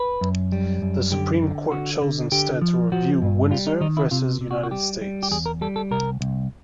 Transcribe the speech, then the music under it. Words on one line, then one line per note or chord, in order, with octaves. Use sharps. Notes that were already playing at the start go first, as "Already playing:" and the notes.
The Supreme Court chose instead to review "Windsor versus United States".
Already playing: B4
F#2
G3
F#2
D3 G4
D3
D3 F#4
D3
D3 G4
F3
F3 F#4
G2
G3 F4
D#4
D#3 D#4
E4
C3 F4
C3
F#4
F#4
G3 G4
G3
G4
E2 G#4
A#4
G3 A4
A4
C2 A#4
C2